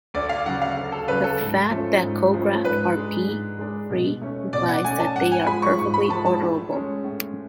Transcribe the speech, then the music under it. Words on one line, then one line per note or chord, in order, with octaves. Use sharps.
The fact that cographs are "P"-free implies that they are perfectly orderable.
D2 D5
F5
C#3 F#3 F#5
F5
D2
A4
C#3 F#3 B4
A4
G#2
F3 A3 C#4
G#2
F3 A3 C#4
G#2 B4
G#3 D4
G#2
G#3 D4
B2
A3 C#4
B2 D5
F#5
A3 C#4 G#5
A5
G#2 F#5
G#5
F3 G#3 B5
C#6
G#2 C#6
B5
F3 G#3 A5
A5
A2
G#3 C#4
A2